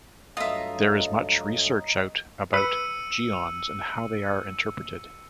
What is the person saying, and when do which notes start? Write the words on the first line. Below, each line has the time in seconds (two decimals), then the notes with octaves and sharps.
There is much research out about geons and how they are interpreted.
0.37 G2 F#3 A3 F4 D#5 E5 A#5 D#6
2.54 B4 E6 C#7 D#7